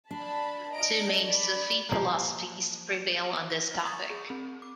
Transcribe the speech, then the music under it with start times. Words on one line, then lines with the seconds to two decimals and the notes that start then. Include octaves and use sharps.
Two main Sufi philosophies prevail on this topic.
0.11 D4 A5 B5
0.74 D#5 A#5 D7
1.26 D5 B5
1.89 F3 A#3
3.50 A#6
3.86 A#5 C#6 D#6 A6
4.10 G#4
4.30 C4
4.62 D6